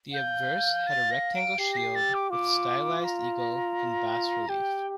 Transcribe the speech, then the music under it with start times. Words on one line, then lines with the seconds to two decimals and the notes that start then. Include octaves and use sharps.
The obverse had a rectangle shield with stylised eagle in bas-relief.
0.14 F5 G6
0.86 A6
1.11 A#6
1.35 D7
1.58 G4 C7
1.73 A#6
1.76 C7
1.95 A6
2.13 D6
2.31 F4 D6
3.03 A#5
4.48 G4 G5